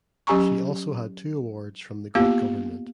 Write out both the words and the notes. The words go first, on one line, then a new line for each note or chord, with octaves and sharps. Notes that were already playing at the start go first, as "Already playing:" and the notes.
She also had two awards from the Greek government.
F#3 C#4 G4 G#5 A#5 C#6
A#3 B3 F4 G4 F5